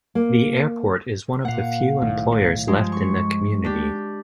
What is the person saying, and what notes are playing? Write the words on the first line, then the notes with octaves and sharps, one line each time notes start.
The airport is one of the few employers left in the community.
A#3
A#2 A#3 F5 F#5
B1 A2 D#3
G2 F3 G#3
C#6
D4 G4